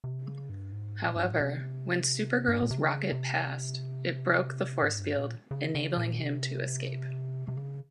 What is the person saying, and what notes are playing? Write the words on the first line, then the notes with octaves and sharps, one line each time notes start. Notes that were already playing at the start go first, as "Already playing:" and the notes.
However, when Supergirl's rocket passed, it broke the force field, enabling him to escape.
C3
C#3
G2
G#2
A#2
G2
G#2
A#2
C3
G2
G#2
A#2
C3
C#3
C3
G#2
G2
A#2
C#3
C#3
A#2
C3
C3
C#3